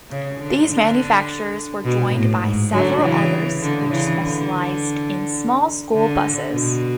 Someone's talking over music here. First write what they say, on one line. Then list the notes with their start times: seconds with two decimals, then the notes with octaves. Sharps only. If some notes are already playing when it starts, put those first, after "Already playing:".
These manufacturers were joined by several others which specialized in small school buses.
0.10 C#3
0.40 D3
0.68 D3
1.85 B2
2.15 A2
2.44 G#2
2.72 D3 F#3
3.01 C#3 E3
3.61 D3
3.90 C#3 E3
4.19 D3
5.94 D3
6.52 B2